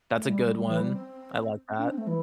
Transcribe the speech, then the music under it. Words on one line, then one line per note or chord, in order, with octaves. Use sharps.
That's a good one. I like that.
A3
G3
G3
G3
E3
G3
C4
C4
D4
C4
A3
E3